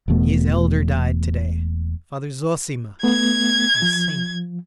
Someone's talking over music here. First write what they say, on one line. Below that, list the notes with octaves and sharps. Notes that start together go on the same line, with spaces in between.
"His elder died to-day, Father Zossima, the saint."
E1 E2 B2 A3
A3 B3 G#6
F3